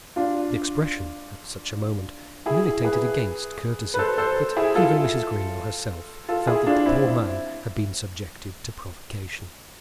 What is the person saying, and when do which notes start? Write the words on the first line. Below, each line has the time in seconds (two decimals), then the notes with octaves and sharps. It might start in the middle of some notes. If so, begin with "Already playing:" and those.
The expression, at such a moment, militated against courtesy; but even Mrs. Greenow herself felt that the poor man had been subjected to provocation.
0.16 D4 F4
2.46 E4 G#4
2.85 G#4 B4
3.94 B4
3.99 A4 C5
4.18 A4 C5
4.57 E4 G#4
4.75 F4 A4
6.29 F4 A4
6.47 E4 G#4
6.66 D4 F4
6.86 C4 E4